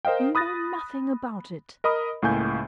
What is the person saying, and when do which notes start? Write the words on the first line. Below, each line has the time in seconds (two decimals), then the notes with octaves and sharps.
You know nothing about it.
0.05 A#4 C5 D#5 F5 G5
0.35 B5 D#6 F#6 A6 A#6
1.84 A#4 D#5 B5 D#6
2.22 C#2 A2 A#3 G#5 G6